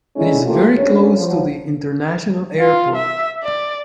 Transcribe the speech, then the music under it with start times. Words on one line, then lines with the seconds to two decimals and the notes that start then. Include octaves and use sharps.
It is very close to the International Airport.
0.16 D3 G#3 C#4 D#4 E4
0.46 A3 A#3 F4 G4
0.77 D2 C#4 C#5
1.16 F3 F#3
2.59 F4
2.96 E5
3.43 D5